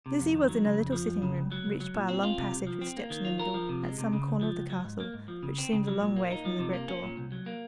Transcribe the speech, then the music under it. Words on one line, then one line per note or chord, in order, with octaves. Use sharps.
Lizzie was in a little sitting-room, reached by a long passage with steps in the middle, at some corner of the castle which seemed a long way from the great door.
C3
F2
D#3
F#3
C#3
F2
F3
F2
C#3
C#2
F#3
C#2
F#3
A#2
C4
F4
C3
C2
F3
C4
A#3
D#3
F4
A#4
F3
C3
G#3
C3
C#3
C#2
F3
C#2
F#3
G#2
A#3
G#2
F3
C#3
C4
C#3
F#3
A#2
A#3
D#4
F3
C3
A#3
C#4
A#2
C2
F#3
A#3